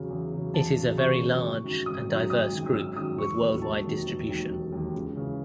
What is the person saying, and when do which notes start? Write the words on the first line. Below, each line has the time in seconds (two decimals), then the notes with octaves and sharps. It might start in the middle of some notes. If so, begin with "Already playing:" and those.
It is a very large and diverse group with worldwide distribution.
Already playing: E2 C#3 F#3
0.10 E2
0.33 C#3 F#3
0.54 E2 A5
0.76 C#3 F#3
0.98 E2 C#6
1.20 C#3 F#3
1.42 G#1
1.64 F#2 D#3 F#3
1.86 G#1 D#6
2.08 F#2 D#3 F#3
2.30 G#1 D#6
2.52 F#2 D#3 F#3
2.74 G#1 E6
2.96 F#2 D#3 F#3 D#6
3.18 E1 C#6
3.41 D#2 D#3 F#3
3.62 E1 A5
3.84 D#2 D#3 F#3
4.06 E1
4.29 D#2 D#3 F#3
4.50 E1
4.72 D#2 D#3 F#3
4.94 C#2
5.16 C#3 E3